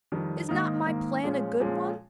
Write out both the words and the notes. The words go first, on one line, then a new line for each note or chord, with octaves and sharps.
Is not my plan a good one?'
F2 D#3 G3
G#2 D#3 A#3 D#4
G#2 D#3 A#3 D#4
A#2 F3 G#3 C#4
A#2 F3 G#3 C#4